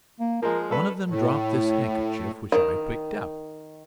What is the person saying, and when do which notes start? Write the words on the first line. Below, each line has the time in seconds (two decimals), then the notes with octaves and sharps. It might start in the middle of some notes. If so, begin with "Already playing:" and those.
One of them dropped this handkerchief, which I picked up.
0.20 A#3
0.42 F3 G#3 A#4
0.70 G3 C#4 A4 B4
1.09 A2
2.52 D#3